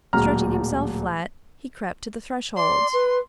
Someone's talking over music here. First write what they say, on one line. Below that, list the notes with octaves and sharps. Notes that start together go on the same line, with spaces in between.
Stretching himself flat he crept to the threshold.
D1 C#2 A#2 F#3 A#5 F6
D5 C6
B4